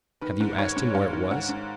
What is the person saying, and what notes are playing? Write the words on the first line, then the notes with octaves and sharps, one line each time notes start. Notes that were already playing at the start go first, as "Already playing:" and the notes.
Have you asked him where it was?
D#3 B4
G#2
D#3 C#5
G#2
G#2 F5
D#3
G#2 F#5
G#2